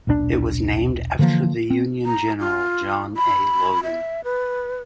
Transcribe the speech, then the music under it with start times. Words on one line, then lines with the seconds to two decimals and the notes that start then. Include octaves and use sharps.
It was named after the Union General John A. Logan.
0.07 D#1 B1 B2 D4
1.19 D3 E3 F3 A#3
1.70 C4
2.06 A#5
2.39 F4
3.17 B5
3.83 E5
4.24 B4